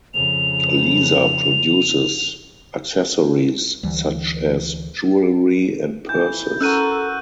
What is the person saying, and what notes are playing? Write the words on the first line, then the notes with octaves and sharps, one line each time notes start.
Lisa produces accessories such as jewelry and purses.
F2 C#3 F7
D2 E3 G3
E3 G6
C#4 F#4 A4 A#4 E5 E6 F#6 D#7